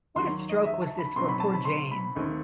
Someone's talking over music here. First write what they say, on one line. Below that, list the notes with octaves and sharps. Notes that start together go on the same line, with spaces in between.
What a stroke was this for poor Jane!
D#2 D#3 F#3 C6
D#5
E5
A5
B5
B2 F#3 C4 D#4 C6
B5
A5
B5
C6
B5
D#2 D#3 A3 C4 D#4